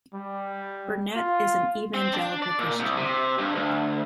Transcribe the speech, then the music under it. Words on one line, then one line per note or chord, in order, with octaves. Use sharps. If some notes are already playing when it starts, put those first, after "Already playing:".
Burnett is an Evangelical Christian.
G3
F4
C4
D4
D5
A#2
C2
C3
G2
D2